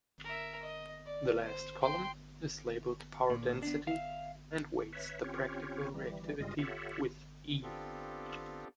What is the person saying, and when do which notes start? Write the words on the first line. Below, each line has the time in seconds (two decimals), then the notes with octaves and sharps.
The last column is labeled "power density" and weights the practical reactivity with "E".
0.24 A#4 E5
0.63 D#5
1.06 D5
1.46 C5
1.81 G5 C6
3.30 A#2
3.63 B3 D4
3.87 E5 F5
4.93 B4 C#5 E5
5.24 C4 C#4 F4 G4 C#5
5.94 E3 G3
6.40 G2 C#3 G3 G#3 F4 D#5
6.59 F4 G4 A4 C#5 E5 F#5
7.63 B3 C4 D4 F4 G4 A4